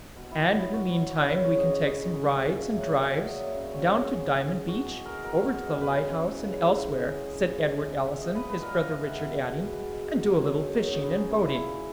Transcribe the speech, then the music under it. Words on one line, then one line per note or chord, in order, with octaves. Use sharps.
"And in the meantime we can take some rides and drives,--down to Diamond Beach, over to the light-house, and elsewhere," said Edward Allison, his brother Richard adding, "and do a little fishing and boating."
B2
E4
F#3 D#4
E4
B2 F#4
C#5
B4
F#3
C#5
C#3 C#5
C#5
G#3 D#5
D#5
C#3 D#5
G#3
A#2 E5
E5
F#3
F#5
A#2 E5
D#5
F#3
E5
C#3
C#5
E3 G#3
A#4
C#3 G#4
E3 G#3
B2 F#4
G#4
G#3
A#4
B2 A#4
G#3
C#3 B4
E3 G#3
C#3
E3 G#3
E5
C#3 D#5
G#3
C#3
E5
G#3
F#5
A#2 E5
D#5
G#3 B4
B4
A#2 A#4
B4
G#3 E5
F#5
B2
G#3
B2
G#3
B2 C#5
G#3 D#4
C#4
D#4
B2 D#4
B4
G#3 G#4
E4
A#2 E4
G#3